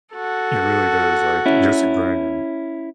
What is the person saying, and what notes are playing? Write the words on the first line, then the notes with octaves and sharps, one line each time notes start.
It really does, like, just grinding.
F#4 A4
C#4 E4